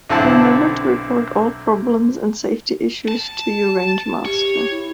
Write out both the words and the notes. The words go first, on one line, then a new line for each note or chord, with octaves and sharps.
Remember to report all problems and safety issues to you range master.
B1 D3 C4 E4 A5
A5
G4 C#5
E4